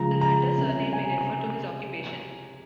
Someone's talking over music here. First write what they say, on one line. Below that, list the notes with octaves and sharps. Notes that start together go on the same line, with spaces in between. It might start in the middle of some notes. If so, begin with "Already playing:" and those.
The latter surname may refer to his occupation.
Already playing: C#3 F3 G#3 A#5
A#5
C3 G3 C#4
G#5